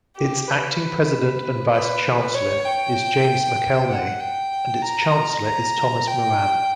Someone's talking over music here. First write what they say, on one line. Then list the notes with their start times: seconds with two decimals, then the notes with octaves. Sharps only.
Its acting President and Vice-Chancellor is James McElnay, and its Chancellor is Thomas Moran.
0.16 G4
0.48 B4
1.71 B4
2.34 C#5
2.64 G5
3.88 F#5
4.20 G5
4.82 A#5
5.44 A#5
6.06 G5